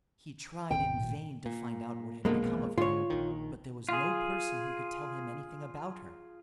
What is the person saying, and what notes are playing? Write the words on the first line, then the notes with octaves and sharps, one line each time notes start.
He tried in vain to find out what had become of her, but there was no person who could tell him anything about her.
D#1 G#1 C4 G5
G#1 A#2
A#2
F2 B2 D3 G#3 A#3
A#1 F2 B2
G#2 D3 G#3 F4 C#5
A#1 D#3
F4 G#4